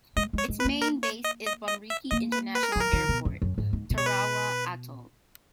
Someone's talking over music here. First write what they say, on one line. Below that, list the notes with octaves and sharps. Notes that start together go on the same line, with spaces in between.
Its main base is Bonriki International Airport, Tarawa Atoll.
G#3 D#5
G#3 C#5
G#3
B4
A#3
A#4
C#5
D#5
D#5
D#5
E5
A#3 D#5
B4
B4
A#4
F#3 G#4
A#4
D#3
B2
F#2
F#2
G#2
G#2
B2
C#5
B4